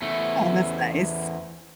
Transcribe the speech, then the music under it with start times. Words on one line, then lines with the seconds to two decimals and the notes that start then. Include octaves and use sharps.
Oh, that's nice.
0.02 E2 A3